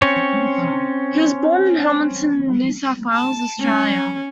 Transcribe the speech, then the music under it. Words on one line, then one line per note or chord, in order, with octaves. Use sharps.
He was born in Hamilton, New South Wales, Australia.
C4 C#4 C#5
A5
C#4